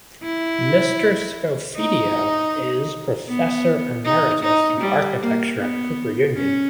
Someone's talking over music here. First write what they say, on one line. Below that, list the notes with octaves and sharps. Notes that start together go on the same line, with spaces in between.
Mr. Scofidio is Professor Emeritus of Architecture at Cooper Union.
E4
D#4
B3
D#4
D#4
G3
A#3
B3
C#4